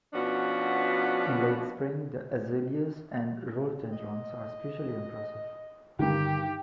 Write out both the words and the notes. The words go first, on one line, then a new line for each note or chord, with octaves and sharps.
In late spring, the azaleas and rhododendrons are especially impressive.
B2 F3 B3 C#4 D4 F#4
D#5
G2 D3 D#3 G4 G5